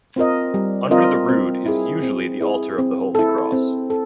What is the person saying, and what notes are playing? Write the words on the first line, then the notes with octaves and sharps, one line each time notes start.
Under the rood is usually the altar of the Holy Cross.
C4 F4 A#4 D#5
G3
C4 F4 A#4 D#5
C4
E4 G#4
C4
E4 G#4
C4
E4 A4
C4
A4